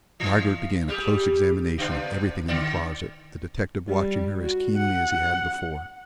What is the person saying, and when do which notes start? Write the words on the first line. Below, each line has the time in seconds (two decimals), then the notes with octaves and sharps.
Margaret began a close examination of everything in the closet, the detective watching her as keenly as he had before.
0.20 E3
0.88 G3 G4 G#4
1.78 C#3 B3 D4
2.48 D3 D5
3.88 G3
4.42 F#4
4.78 F#5